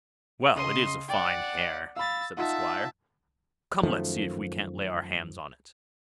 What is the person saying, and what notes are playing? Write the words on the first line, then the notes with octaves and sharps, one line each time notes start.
'Well, it is a fine hare', said the Squire; 'come let's see if we can't lay our hands on it.'
C#3 D#5 C6 D#7
D5 F#5 G5
F5 B5 E6 A6
D#4 F4 E5 F#5 A5
F#2 D#3 F3 A3